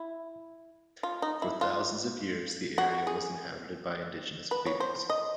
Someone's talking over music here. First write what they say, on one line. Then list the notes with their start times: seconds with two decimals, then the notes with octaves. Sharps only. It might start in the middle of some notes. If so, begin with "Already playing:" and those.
For thousands of years the area was inhabited by indigenous peoples.
Already playing: E4
1.03 F4
1.22 D#4
1.42 E4
1.61 F4
2.78 F#4
3.07 G#4
4.51 B4
4.66 C#5
4.80 C5
5.10 D#5